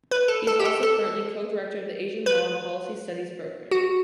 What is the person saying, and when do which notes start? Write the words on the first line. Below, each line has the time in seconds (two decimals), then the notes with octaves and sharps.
He is also currently Co-Director of the Asian Law and Policy Studies Program.
0.11 B4
0.28 A4
0.47 A4
0.60 G4
0.65 A4
0.83 A4
2.26 B4
3.71 F#4